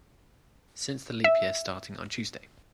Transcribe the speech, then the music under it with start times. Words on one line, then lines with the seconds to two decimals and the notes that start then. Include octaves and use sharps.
Since the leap year starting on Tuesday.
1.24 E5